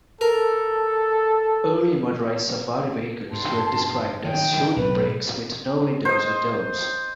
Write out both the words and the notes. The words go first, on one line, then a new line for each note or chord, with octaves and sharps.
Early motorized safari vehicles were described as shooting-brakes with no windows or doors.
A4 A#4
G2 A5 C6
D#3 G5
B1 A2 B4
C5 D#5